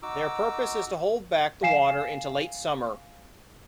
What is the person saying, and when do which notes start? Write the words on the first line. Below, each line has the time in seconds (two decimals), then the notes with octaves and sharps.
Their purpose is to hold back the water into late summer.
0.03 D#4 F#4 D6 E6
1.63 F5 G#5 C7 E7